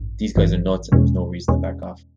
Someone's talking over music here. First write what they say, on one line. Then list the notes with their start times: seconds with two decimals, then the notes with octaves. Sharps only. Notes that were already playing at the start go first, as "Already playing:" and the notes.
These guys are nuts and there's no reason to back off.
Already playing: A1 G2
0.35 A1 G2 E3
0.92 E2 B2 G#3 C#4
1.48 E2 B2 G#3 C#4